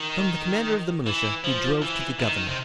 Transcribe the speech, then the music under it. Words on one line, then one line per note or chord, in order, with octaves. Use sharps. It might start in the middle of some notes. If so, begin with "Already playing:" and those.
From the commander of the militia he drove to the governor.
Already playing: D#3
E3
F3
E3
D#3
C3